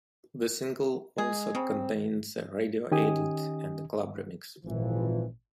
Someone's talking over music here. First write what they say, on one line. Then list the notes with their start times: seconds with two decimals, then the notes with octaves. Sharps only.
The single also contains a radio edit and a club remix.
1.18 G#3 G#4
1.55 C#3 C4
2.92 D#3 C#4 G4 D#5 G#5 D#6
4.64 G#1 A#2 E3 F3